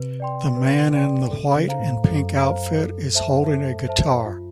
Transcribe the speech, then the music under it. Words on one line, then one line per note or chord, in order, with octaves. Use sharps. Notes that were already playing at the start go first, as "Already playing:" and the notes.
The man in the white and pink outfit is holding a guitar.
Already playing: C3 B4
D5 G5 C6
B4
D5 G5 C6
C#3 A4
C#3
C5 F5 A#5
A2
F#2 A4
C5 F5 A#5
A4
C5 E5 A5
A4
C5 E5 A5
F4